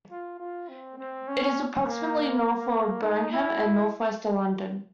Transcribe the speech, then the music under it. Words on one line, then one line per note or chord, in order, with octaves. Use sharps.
It is approximately north of Birmingham and north-west of London.
F4
F4
C4
C4
C#4
A#3
A#3
D#4
E4